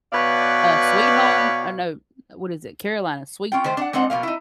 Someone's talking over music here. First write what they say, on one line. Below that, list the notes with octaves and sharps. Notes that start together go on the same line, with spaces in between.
Uh, Sweet Home oh, no, uh, what is it? Carolina Sweet
B2 B4 C#5 D5 F5
C#4 F4 G5
D#3 A3 C5
D4 F#5
G#3 C4 D#4 C5 F#5
B2 F3 A#3 F5
D#4 E4